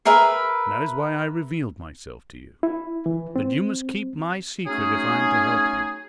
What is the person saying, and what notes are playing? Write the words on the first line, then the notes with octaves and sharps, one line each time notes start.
That is why I revealed myself to you. But you must keep my secret if I am to help you.
G#4 A#4 B4 E5
E4
E3
C4
F#3 A3 C#4 D#4 G#4